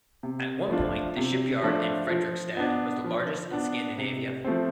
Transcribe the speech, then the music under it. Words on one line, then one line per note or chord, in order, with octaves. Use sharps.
At one point the shipyard in Fredrikstad was the largest in Scandinavia.
C3
F3 A3 D4 F4
C3
F3 A3 D4 F4
F3
B3 D4
F3
B3 D4
C3
F3 A3 C4